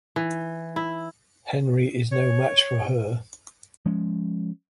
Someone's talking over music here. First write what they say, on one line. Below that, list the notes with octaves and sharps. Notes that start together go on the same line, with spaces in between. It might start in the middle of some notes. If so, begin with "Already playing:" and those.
Henry is no match for her.
E3
E4
C#5
F3 G#3 C#4